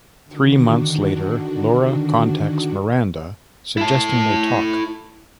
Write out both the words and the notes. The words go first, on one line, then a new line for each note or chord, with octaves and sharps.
Three months later, Laura contacts Miranda, suggesting they talk.
D3 D#3 D4 F#4
E4 A5